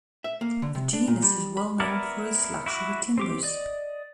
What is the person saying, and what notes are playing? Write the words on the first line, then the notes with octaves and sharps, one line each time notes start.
The genus is well known for its luxury timbers.
E5
A#3
D3
C3
D4
A#2
G3
B5
B3 E4 A#4 D5
E4 F#4 D6
C4 G4 D6
D5 D#5